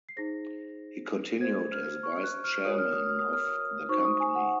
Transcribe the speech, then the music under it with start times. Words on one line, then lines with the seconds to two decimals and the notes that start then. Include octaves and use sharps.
He continued as vice chairman of the company.
0.09 C7
0.16 D#4 G#4 C5 A#6
1.41 F#4 C5 G#6
1.72 F6
2.03 C#6
2.23 F#6
2.44 F6
2.65 F#4 A#4 C#5 D#6
2.78 F6
2.92 D#6
3.06 F6
3.19 D#6
3.33 F6
3.47 D#6
3.89 D#4 F#4 C5 C#6
4.00 C#6
4.05 D#6
4.20 G#5
4.35 F#5